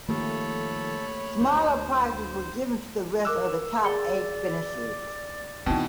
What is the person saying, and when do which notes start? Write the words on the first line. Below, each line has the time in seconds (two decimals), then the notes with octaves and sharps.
Smaller prizes were given to the rest of the top eight finishers.
0.09 D#3 F3 A3 A#3 G4 A4 C#5 B5
1.41 D2 C5
3.25 A#4 D6 E6 F#6
3.83 G#4 D5 C#7 G7
5.66 B2 E3 C4 D#4 G5 A5